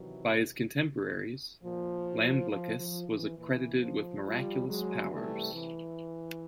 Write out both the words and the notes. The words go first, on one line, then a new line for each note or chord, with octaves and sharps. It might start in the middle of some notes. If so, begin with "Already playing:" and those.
By his contemporaries, Iamblichus was accredited with miraculous powers.
Already playing: C3 D#3 E3 F#3
A#2 F3
F3
F3
E3
A#2 E3
F3
F3 G3
F#3 G#3
C3 E3 G3 A3
E3